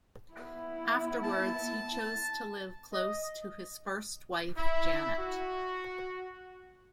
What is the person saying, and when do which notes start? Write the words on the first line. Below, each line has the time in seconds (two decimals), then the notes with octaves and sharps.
Afterwards he chose to live close to his first wife Janet.
0.34 B3 E4
1.23 A5
2.93 D#5
4.57 E4
5.19 F#4